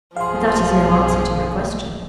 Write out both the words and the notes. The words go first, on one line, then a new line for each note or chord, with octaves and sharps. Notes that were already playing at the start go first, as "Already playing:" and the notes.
But that is no answer to my question.
B1 G2 F3 A3 G#4 F5 C6